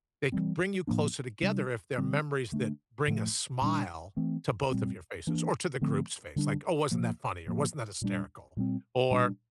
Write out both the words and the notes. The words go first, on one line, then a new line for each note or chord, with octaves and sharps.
they can bring you closer together if they're memories that bring a smile to both of your faces, or to the group's face, like, "Oh, wasn't that funny," or, "Wasn't that hysterical?" Or,
E3 G3 C4
A2 F3 A#3 D4
C3 G3 D4
D3 G3 C4
D3 A3 D4
A2 F3 A3
A#2 G3 A#3 D4
E3 A3 C4
A#2 G3 C4
E3 A#3 D4
D3 F3 A3 C4
D3 G3 D4
A#2 F3 A#3
A2 F3 A#3
A#2 G3 D4
A#2 G3 C4
A#2 G3 D4